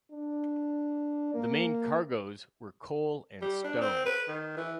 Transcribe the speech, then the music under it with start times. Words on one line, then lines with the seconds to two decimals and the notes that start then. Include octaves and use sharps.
The main cargoes were coal and stone.
0.12 D4
1.34 A#3
3.42 G3
3.64 D4
3.81 C4
4.06 B4
4.28 D#3
4.57 E3